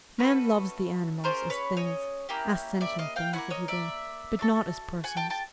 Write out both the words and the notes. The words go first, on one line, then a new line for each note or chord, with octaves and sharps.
Man loves the animals as THINGS,--as SENTIENT THINGS, if you will,--but not as PERSONS.
A3 C#4 F#4 A4 B4
C#4 F4 G#4 A#4 C5
B4 C#5
C#5 D#5
A#3 C#4 E4 G4
D5 E5
D#5 F5
F5 G5
A#3 C#4 E4 F#5 G#5
C#5 D#5
D5 E5
D4 F#4 A4
F#5 G#5
G5 A5
G5 A5